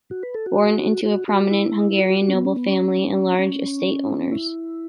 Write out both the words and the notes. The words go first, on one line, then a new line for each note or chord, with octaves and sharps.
Born into a prominent Hungarian noble family and large estate owners.
F#4
B4
A4
F#4
F#4
F#4
E4
F#4
F#4
F#4
C#4
B3
C#4
B3
C#4
C#4
E4